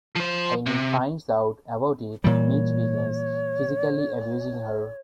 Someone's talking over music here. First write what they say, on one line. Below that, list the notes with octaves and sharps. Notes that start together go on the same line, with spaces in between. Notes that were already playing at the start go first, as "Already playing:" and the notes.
When he finds out about it, Mitch begins physically abusing her.
F3 C5
C3
A#2 E3 G3 C#5